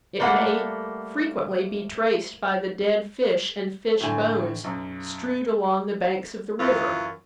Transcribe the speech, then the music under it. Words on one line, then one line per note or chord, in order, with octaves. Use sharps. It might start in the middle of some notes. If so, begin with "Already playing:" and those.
It may frequently be traced by the dead fish and fish-bones strewed along the banks of the river.
G3 A3 A#3 A#4 F#5
A2 D3 G#5
B1 F#2
F#2 E3 F4